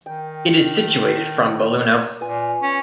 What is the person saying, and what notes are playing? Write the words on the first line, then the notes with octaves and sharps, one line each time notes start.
It is situated from Belluno.
D#3 G5
A#2 B3 F4 G#5
C#4